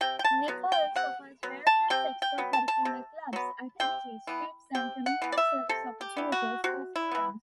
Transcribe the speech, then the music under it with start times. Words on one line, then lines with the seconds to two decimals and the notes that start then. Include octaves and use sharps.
Nichols offers various extracurricular clubs, activities, trips and community service opportunities to students.
0.01 C3 G5
0.19 G5
0.24 A5
0.48 F#3 B3
0.72 G5
0.96 C3 F#5
1.43 F#3 B3
1.67 A5
1.90 C3 G5
2.22 G5
2.38 F#3 B3
2.53 A5
2.68 A5
2.85 C3
3.33 F#3 B3
3.80 C3 G5
4.27 E3 B3
4.75 C3 G5
5.06 F#5
5.22 E3 B3
5.32 D5
5.38 E5
5.69 C3 A4
6.01 G4
6.17 E3 B3
6.32 F#4
6.64 C3 F#4
6.96 E4
7.11 E3 B3